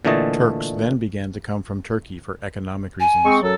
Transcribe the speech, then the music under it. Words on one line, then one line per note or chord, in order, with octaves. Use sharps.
Turks then began to come from Turkey for economic reasons.
A#2 D3 E3 A3 D#5 A5
G#5
G#3 C4 C#6
F#2 F#3 A4